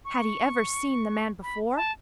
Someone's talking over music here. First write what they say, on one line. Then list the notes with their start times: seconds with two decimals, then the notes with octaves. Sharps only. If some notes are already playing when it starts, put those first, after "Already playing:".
Had he ever seen the man before?
0.05 C#6
1.43 B5
1.76 A5